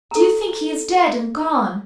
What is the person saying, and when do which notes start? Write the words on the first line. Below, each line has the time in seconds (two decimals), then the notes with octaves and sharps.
"Do you think he is dead and gone?"
0.11 A4 A#5